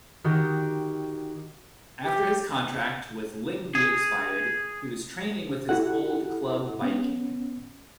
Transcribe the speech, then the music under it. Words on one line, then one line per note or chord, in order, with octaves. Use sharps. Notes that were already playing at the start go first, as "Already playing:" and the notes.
After his contract with Lyngby expired, he was training with his old club Viking.
D#3 F#4 G4
G4
G#4
E4 F#4 G4 A4 F#5
B3 C#4